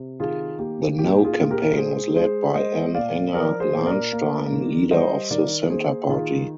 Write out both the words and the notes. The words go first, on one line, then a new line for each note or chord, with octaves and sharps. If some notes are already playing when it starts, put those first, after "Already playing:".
The "No" campaign was led by Anne Enger Lahnstein, leader of the Centre Party.
Already playing: C3
D#3 F4 G#4
A#3 G4
A#2 G4
F4 G#4
A#2 G#4
G4 A#4
G#3 G#4 C5
G#3 G#4 C5
G#3 C5 D#5
A#2 D5 F5
F3 A#4 D5
G#4 C5
A#2
A#4 D5
A#3
D#3
G3 C5 D#5
D#3 A#4 D5
A#3 G#4 C5
D#3 F4 G#4